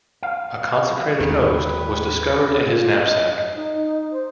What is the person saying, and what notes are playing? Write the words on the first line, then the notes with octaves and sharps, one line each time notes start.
A consecrated Host was discovered in his knapsack.
F5
D#2 D#3 G#3 G4 B4
F4
D#5
D#4
C5